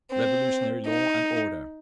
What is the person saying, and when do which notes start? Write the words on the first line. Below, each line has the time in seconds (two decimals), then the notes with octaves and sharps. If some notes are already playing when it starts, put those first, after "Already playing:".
Revolutionary law and order.
0.12 C4
0.87 D#4